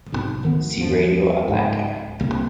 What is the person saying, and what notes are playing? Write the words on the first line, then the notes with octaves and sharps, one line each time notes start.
See Radio Atlanta.
B1 G#2 C3
D2 D#3 B3
E2 G2 F3
C#2 G#2
C2 C3 A#3